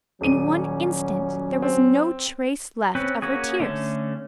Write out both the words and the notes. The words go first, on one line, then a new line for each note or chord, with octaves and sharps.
In one instant there was no trace left of her tears.
D#1 F#3 C#4 D#7
C4
C4 C#4 B4
A#3 C#4 F#4 G#4
D3 A3 C#4